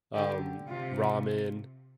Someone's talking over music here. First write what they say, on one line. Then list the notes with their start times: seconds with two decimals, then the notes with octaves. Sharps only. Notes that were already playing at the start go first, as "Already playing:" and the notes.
um, ramen;
0.15 D3 G4
0.68 C3 F4